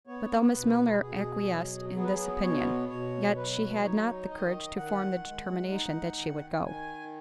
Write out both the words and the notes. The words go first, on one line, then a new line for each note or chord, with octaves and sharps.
But though Miss Milner acquiesced in this opinion, yet she had not the courage to form the determination that she would go.
B3 C#5
B2 B4
B2 G#4
F#3
B3 G#4
B4
G#4
B2 C#5
B2 C#5
F#3 B4
D#4 C#5
D#3 D#5
D#3 F#5
G#3
D#4
D#3
D#3 G#5